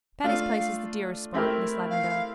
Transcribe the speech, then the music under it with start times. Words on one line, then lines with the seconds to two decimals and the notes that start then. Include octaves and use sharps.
Patty's Place is the dearest spot, Miss Lavendar.
0.24 A3 D4 F4 F5
1.34 A3 C4 E4 G4 A#4
1.90 F5